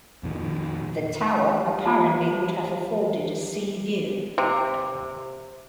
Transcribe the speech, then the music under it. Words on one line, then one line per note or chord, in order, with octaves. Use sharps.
The tower apparently would have afforded a sea view.
F2 A#2 D#3
F4 A5
C3